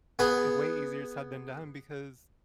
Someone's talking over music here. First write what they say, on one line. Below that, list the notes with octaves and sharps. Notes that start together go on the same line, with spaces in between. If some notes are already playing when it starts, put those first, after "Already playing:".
way easier said than done because,
B3 G#4 B4